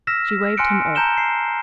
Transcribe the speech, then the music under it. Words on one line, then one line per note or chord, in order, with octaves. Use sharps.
She waved him off.
E6 F6 A#6 B6 E7
G#5 C6 F6 F#6 C#7 D7
A5 A#5 G6 C#7 E7 G7
C7